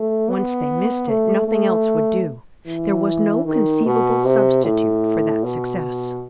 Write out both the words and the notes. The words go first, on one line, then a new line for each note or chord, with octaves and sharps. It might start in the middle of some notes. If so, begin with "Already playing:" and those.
Once they missed it nothing else would do; there was no conceivable substitute for that success.
Already playing: A3
B3
A3
A3
E3
D#3
B2
C3
A2
B2